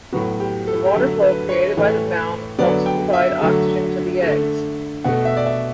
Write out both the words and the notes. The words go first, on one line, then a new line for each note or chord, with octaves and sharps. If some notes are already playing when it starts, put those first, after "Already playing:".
The water flow created by the mound helps to provide oxygen to the eggs.
A2 F#3 B3 F#4
G4
A4
G4
D3 F#3 A3 A4
B4
C#5
A2 E3 A3
D3 F#3 B3 D5
G5
E5
D3 F#3 A3
D3 A3
B2 A3 F#5
E5
D5
E5